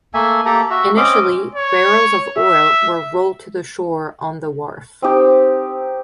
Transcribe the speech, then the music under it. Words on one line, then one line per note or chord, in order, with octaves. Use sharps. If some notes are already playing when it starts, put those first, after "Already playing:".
Initially barrels of oil were rolled to shore on the wharf.
A3 A#3 E5 G#5
A#3 G4 A4 A#5
F#4 E5
C4 C#4 D#5 D6
C#5
E5
C4 D#4 G4